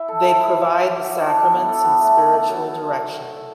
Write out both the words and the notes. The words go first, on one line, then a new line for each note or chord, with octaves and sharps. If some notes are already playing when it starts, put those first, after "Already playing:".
They provide the sacraments and spiritual direction.
Already playing: E4 B4 E5
A4
A4
E4
F#3
D5
F#3
F#4
D4
D4
B3
A4
B3
A3
A3
A3
F#3